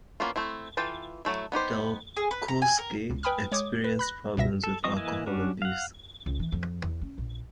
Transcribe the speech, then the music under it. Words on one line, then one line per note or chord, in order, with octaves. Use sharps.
Dalkowski experienced problems with alcohol abuse.
A#3 B3 C#4 E4 F4
A3 C4 E4
E3 F4 A4 G5 A5
F#3 A3 E4
B3 D#4 G4 C5
G#4
B4
A#5
G#5
A#4
C#2
B4 G5 G#5 B5 D#6 F6
G#3 C#5 D6 D#6
B4
B5 F#6 A#6
C#2 B2 E5 A#6
A4
F3 C4 D#5 C#6 D#6
E3 A#3 E4 D#5 G#5
G3 C#4 D4 F#4
F5 F#5
C#2
E3
F2
E2
C#4
A#1